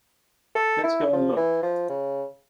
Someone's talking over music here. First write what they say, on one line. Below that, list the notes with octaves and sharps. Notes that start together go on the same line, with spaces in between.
Let's go and look.
A4
E4
F3
E3
F3
C#3